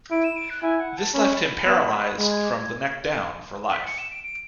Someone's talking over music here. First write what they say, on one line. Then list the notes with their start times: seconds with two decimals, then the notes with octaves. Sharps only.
This left him paralyzed from the neck down for life.
0.11 E4 D7
0.24 E7
0.36 D7
0.50 F#6
0.62 E4 G#5
0.80 F#5
0.98 A5
1.14 C#4 B5
1.66 B3
2.18 G#3 B5
2.31 G#6
2.44 D6
2.56 G#6
3.73 B6
3.86 C#7
3.98 E7
4.11 D7
4.24 D7